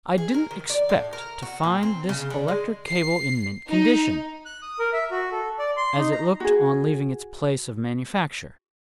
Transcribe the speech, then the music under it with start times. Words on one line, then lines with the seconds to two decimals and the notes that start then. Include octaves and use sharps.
I didn't expect to find this electric cable in mint condition, as it looked on leaving its place of manufacture.
0.18 G#4
0.34 A#4
0.51 D#3
0.70 D5
0.89 A2
1.13 A#4
1.42 F#4
1.63 A#2
1.83 C4
2.09 C#3
2.30 D3
2.48 G#3
2.86 C7
3.68 D#4
4.46 F#6
4.62 D#6
4.79 A#4
4.93 E5
5.11 F#4
5.32 A4
5.59 D5
5.77 C6
5.98 D#4
6.12 A#5
6.40 F#4 G#4